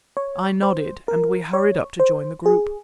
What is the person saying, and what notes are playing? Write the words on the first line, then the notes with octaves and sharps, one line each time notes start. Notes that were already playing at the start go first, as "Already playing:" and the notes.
I nodded, and we hurried up to join the group.
C#5
C5
A#4
C#5
C5
G#4